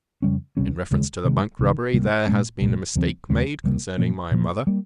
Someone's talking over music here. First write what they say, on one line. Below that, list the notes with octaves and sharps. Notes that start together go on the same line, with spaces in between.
In reference to the Bank robbery, there has been a mistake made, concerning my mother.
F2 C#3 G3 C#4
C#2 C3 G3 C#4
D#2 C#3 G#3
C3 D#3 G#3
C2 C3 D#3
C#2 C3 G3 A#3
A#2 G#3 C#4
C2 A#2 G#3
D#2 C#3 F3 C4
D#2 C#3 G#3 C4
C#2 C3 G3 A#3
A#2 F3 A#3 C#4
A#2 F3 A#3
G3 A#3